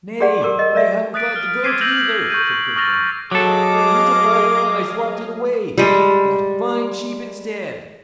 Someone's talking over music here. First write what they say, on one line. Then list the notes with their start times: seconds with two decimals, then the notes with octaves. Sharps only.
'Nay, but I haven't got the goat either', said Gudbrand, 'for a little farther on I swopped it away, and got a fine sheep instead.'
0.20 G4 G#4 D5 F#5
0.42 G4 A#4 C#6 D6
0.59 A#4 D#5
0.75 A#4 D5 E5 C#6
1.14 D#6 F#6 A6 B6 D7
1.36 F6
1.64 D6 E6 G#6 B6 C7 D#7
1.81 E6 F6 G6 A#6 F7 F#7
2.30 C#6 G6 D#7
2.76 C#6 D#6 F6 A6 A#6 F7
3.32 F#3 G#4 A4 D#5 F5 D6
5.78 G3 G#3